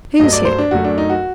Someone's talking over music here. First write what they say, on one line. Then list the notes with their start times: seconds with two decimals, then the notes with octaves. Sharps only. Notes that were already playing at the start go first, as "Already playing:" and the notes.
"Who's here?"
0.19 G2 F#3 A3 D#5
0.33 D5
0.45 C5
0.58 D4
0.71 F#2 F#3 A3 F#4
0.84 D4
0.98 D#4
1.10 F#4